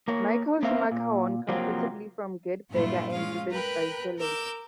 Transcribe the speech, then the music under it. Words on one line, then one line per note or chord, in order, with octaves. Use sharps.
Michael Schumacher won comfortably from Gerhard Berger and Rubens Barrichello.
A#3 A#4 C#5
A#3 C4 A#4 C5 E5 F5
A#2
C3 F3 F#3 A#3 C4
G2 A#2 F#3 A3 E4 F4
G#3 C#4 F4 F5
A#4 B4 G5 B5 F#6
A#4 D6 E6 G6